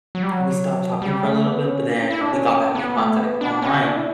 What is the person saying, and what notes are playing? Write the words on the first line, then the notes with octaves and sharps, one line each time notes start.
we stopped talking for a little bit, but then we got back in contact online
F#3
G3
F#3
G3
A3
B3
C#4
D4
C#4
E4
D4
C#4
B3
A3
B3
D4
C#4
D4
E4